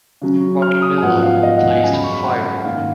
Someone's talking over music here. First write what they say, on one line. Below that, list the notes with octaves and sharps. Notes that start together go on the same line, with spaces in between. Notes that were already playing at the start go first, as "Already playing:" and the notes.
Mark Miller replaced Firebaugh.
C#3 F#3 C#4
F6
D#6
G#5
G#2 F3 B3 F#5
F5
D#5
F#5
G#5
F#2 C#3 G#3 G#5
B5
C#6
B5
F#5
G#2 D#3 A#3 F5